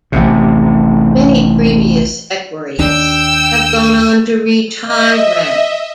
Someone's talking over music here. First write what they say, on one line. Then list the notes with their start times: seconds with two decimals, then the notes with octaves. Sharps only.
Many previous equerries have gone on to reach high rank.
0.12 A1 D#2 C3
2.79 D#2 D4 G5 E6
4.85 D#5 E5